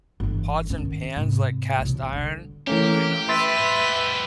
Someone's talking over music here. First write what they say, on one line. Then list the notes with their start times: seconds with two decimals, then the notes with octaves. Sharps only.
pots and pans like cast iron, really nice.
0.20 G1 E3
0.70 D#3 C#4
1.16 G#2 C3
1.79 B1 E2
2.13 D3 G3
2.67 E3 A3 A#3 C#4 G4
3.29 B4 E5 C6 A6
3.58 G#2 G4